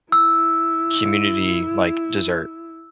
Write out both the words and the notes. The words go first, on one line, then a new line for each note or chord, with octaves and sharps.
community, like, dessert.
E4 E6